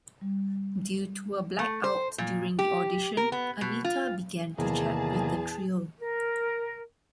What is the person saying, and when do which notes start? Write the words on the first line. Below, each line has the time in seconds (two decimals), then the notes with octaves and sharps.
Due to a black-out during the audition, Anita began to chat with the trio.
0.21 G3
1.59 A3
1.84 C5
2.18 A#2
2.59 G4
3.17 A#4
3.32 B3
3.61 B2
3.84 F4
4.58 E2 C3 D#3 A#3 G#4 A5
6.00 A#4